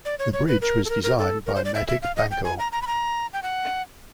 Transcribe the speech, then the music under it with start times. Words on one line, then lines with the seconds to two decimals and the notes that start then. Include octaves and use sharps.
The bridge was designed by Matic Banko.
0.05 D5
0.19 C#5
0.33 C#5
0.48 B4
0.62 A#4
0.85 A4
0.89 A#4
1.04 A#4
1.18 A4
1.46 A#4
1.55 C5
1.65 D5
1.75 E5
1.88 E5
2.02 F5
2.16 D#5
2.31 G5
2.44 G#5
2.59 A#5
2.72 A#5
2.82 B5
2.87 A#5
3.33 G5
3.43 F#5